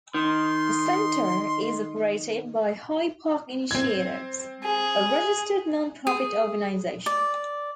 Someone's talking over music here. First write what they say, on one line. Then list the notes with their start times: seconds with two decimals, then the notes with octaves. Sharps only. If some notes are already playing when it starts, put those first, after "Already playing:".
The Centre is operated by High Park Initiatives, a registered non-profit organization.
0.14 D#3 C6
3.71 C4 G#6
4.63 G#4
6.07 G#4
7.06 D5